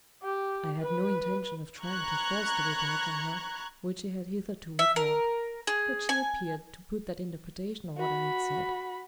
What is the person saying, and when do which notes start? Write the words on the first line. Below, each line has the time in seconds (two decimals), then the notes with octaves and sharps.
I had no intention of trying to force the reply from her which she had hitherto withheld; but she appeared to put that interpretation on what I had said.
0.23 G4
0.80 B4
1.83 A#5 B5 C#6 F#6 G#6
4.79 E5
4.96 A#4
5.67 G#4
6.09 G#5
7.97 F#4 B5